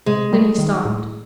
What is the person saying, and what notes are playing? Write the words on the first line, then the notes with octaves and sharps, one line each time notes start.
Then he stopped.
C3 G#3
G3
D#3
A2